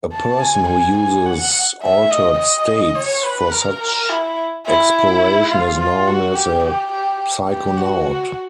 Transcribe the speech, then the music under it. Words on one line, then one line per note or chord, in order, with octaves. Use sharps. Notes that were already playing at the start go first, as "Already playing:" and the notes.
A person who uses altered states for such exploration is known as a psychonaut.
A5
G#5
G#5
G#5
F#5
E5
D#5
D#5
C#5
B4
A#4
A#4
E4
E4
F4
F4
F#4
G4
G4
G4
G4
F#4